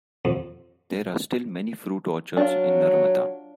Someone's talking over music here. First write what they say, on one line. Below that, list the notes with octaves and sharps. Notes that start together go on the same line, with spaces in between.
There are still many fruit orchards in Naramata.
F2
F#3 D4 F4